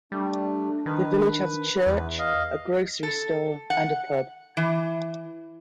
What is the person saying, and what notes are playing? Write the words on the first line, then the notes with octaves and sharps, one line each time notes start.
The village has a church, a grocery store and a pub.
G3 A3 D4
D#3 B4
E2
D#5 F5
A4
F#5
E3